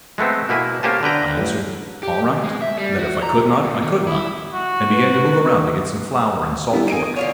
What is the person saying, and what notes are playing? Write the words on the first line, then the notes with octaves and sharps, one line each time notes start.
I answered "all right," that if I could not I could not, and began to move around to get some flour and salt pork.
G#3 A3 B3 C4
B2 A#3 E4 G#5
A#3 C#4 G4 C5 G#5 A5
D3 B4 G5 A#5
A1
G4
B2
G#3
E5
G3
F#4
A#5
C3
A#2
D#3
E4
F#4
B4
G3 B3 E4
D#5 G#5 D7 D#7
D3 F4 C#5